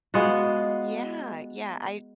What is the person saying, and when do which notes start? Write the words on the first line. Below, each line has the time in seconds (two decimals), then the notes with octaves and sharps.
Yeah, yeah, I
0.14 G#3 B3 F4 F#4